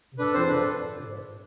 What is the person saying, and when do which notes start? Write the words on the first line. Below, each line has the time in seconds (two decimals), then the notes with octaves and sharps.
If you want to say that.
0.18 D4 A4 B4
0.33 C4 C5
0.47 D4 A4 B4
0.63 A4